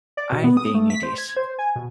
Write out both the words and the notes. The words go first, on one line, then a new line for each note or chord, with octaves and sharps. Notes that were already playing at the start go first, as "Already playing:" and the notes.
I think it is.
D5
B2
B3
D#6
A3
B6
C5
G#6
C5
G#5
B2